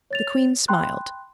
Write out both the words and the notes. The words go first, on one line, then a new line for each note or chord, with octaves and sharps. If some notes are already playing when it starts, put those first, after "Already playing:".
The queen smiled.
C#5 A6 F7
G5 B5 C6 F#6